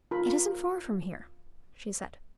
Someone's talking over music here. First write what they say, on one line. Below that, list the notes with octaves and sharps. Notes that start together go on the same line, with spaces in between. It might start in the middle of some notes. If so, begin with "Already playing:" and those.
"It isn't far from here," she said.
F4 A#4 B5